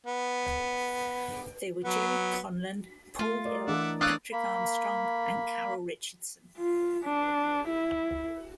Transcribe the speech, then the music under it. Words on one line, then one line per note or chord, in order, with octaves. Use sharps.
They were Gerry Conlon, Paul Hill, Patrick Armstrong and Carole Richardson.
B3
F#3 B3
A3 F4
A#4 D5 D#5
E3 D4 E5 F#5 D6
D4 C#5 D5 F5 D#6 E6 F#6
A#3 B5
F4
D4
E4